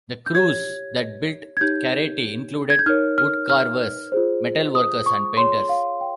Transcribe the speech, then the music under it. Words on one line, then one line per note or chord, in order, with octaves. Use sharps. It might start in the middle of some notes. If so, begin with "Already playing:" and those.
The crews that built carretti included woodcarvers, metal workers, and painters.
G6
G4 C#5 G#6
G#6
D#4 G4 C#5 G6
G#6
G6
D#4 A#4 C#5 F6
F6
F6
F4 G#4 C5
D#6
C#6
F4 G#4 C#5 C6
F5
G5